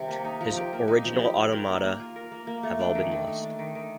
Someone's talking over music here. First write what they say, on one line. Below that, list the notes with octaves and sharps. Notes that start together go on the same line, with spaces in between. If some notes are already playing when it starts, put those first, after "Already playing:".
His original automata have all been lost.
Already playing: C3 D#3 G3
A#3
D#4
F3
G4
A#3
D#4
F3
G4
F4
A#4
A#3
A#3
F4
A#4
A#3
A#3
A3
D4
D#3
D#3
A3
D4
D#3
D#3